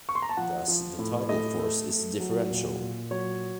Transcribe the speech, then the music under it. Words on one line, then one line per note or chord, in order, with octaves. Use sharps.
Thus, the tidal force is differential.
C#6
C6
A#5
A5
F3 F#5
F3
A2
A3 D#5
A3
A3
F#3
A#2
A#2
F#3 C#5